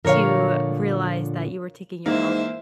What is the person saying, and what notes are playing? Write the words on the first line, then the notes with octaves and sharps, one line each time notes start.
to realize that you were taking your health
A#2 D3 F3 A#4 C#5 F5
G#2 E3 A#3 C5 E5